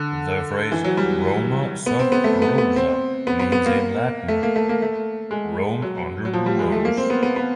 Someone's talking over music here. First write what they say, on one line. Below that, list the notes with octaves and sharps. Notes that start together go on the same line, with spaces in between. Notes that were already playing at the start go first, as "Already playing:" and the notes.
The phrase "Roma Sub Rosa" means, in Latin, "Rome under the rose".
Already playing: D3
E3
F#3
G3
B3
C4
B3
A3
B3
B3
C4
B3
B3
B3
A#3
A3
A#3
A3
A#3
A3
G#3
F#3
F#3
F3
G3
G#3
A3
A#3
C4
B3
B3
B3